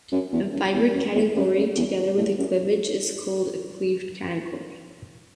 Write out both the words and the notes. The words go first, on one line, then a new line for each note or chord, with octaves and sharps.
A fibred category together with a cleavage is called a "cleaved category".
F#2
E2
F#2
E2
F#2
E2
F#2
F#2
E2
A2
F#2